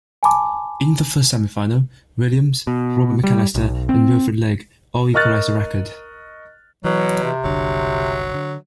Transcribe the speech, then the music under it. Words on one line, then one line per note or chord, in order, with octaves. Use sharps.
In the first semifinal, Williams, Robert McAllister, and Wilfred Legg all equalized the record.
G#5 A5 B5 D6
B2
G3
B1
C4
A#4 D#5 C#6 F6 F#6 A6
B2 E3 F#3
C3
F#1 C2 D3 F#3
D3